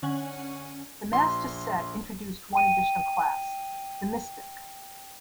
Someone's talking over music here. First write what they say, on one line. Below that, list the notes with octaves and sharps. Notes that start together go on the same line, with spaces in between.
The "Master Set" introduced one additional class: the Mystic.
D3 C#4 F#5 G#5
A#1 C6
G5 D#7